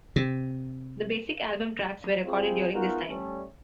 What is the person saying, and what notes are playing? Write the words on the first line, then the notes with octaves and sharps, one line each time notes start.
The basic album tracks were recorded during this time.
C3
G#3 C4 E4 F4 G4 G#4
G#3 B3 D#4 F4 F#4 A#4
G3 A3 C#4